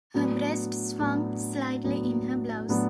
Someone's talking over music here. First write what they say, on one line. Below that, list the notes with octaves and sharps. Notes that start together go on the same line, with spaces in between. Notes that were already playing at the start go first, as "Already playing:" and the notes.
Her breasts swung slightly in her blouse.
A2 F#3 B3 D4
A2 F#3 B3 D4
A2 F#3 B3 D4
A2 F#3 B3 D4